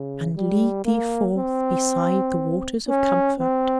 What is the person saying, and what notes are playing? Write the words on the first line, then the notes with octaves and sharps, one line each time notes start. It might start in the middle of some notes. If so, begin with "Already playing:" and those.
And lead thee forth beside the waters of comfort.'
Already playing: C#3
G3
A#3
C4
C#4
C4